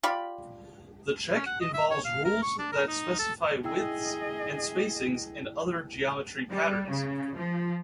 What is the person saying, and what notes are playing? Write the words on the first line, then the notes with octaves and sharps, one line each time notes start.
The check involves rules that specify widths and spacings and other geometry patterns.
F4 G4 D5 B5
C#4
F#5
D#5
E5
C#5
F5
A#4
C#6
D4
A#4
D#4
A4
E4 G#4 D#5 G5 E6
G3
C#3
F3